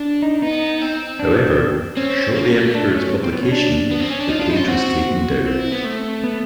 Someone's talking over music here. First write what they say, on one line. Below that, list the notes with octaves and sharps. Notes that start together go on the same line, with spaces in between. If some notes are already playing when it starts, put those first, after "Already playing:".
However, shortly after its publication, the page was taken down.
Already playing: D4
D#4
B3 D#4
C4
D4
C4 C#4
A#3
A3
D4
C#4
C4
B3
C#4
D4
B3
C4
C#4
D4
D#4 F4
D4
F4
D#4 E4
C#4 F4
C4 F#4
C4 F4
E4
B3
A3
B3